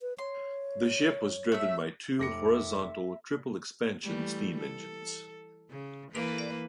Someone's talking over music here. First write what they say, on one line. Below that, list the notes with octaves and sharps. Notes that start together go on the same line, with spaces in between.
The ship was driven by two horizontal triple expansion steam engines.
B4
C#5 C6
A3 E5
F1 E5 D6 A#6 C#7
E3 G3 A3
A4
C#3
E3 A#3 B4